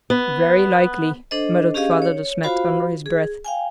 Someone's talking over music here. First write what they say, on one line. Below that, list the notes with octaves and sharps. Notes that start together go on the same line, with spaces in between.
"Very likely," muttered Father De Smet under his breath.
B3
D4 A4 C5 D#5
C#4 G4 G#4 D#5 F5
C#5
F4 F#4 C5 F5 B5
G#4
F5 G5 G#5